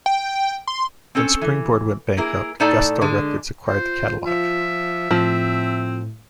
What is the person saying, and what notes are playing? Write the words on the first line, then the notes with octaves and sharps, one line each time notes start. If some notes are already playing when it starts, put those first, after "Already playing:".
When Springboard went bankrupt, Gusto Records acquired the catalog.
G5
C6
C4 C#4 A4
E3
A#3 E4 G#4 A#4
A2 D#4 A4 D5 A5
D3 G#3
F4 C5
F3 E5
A2 F3 C4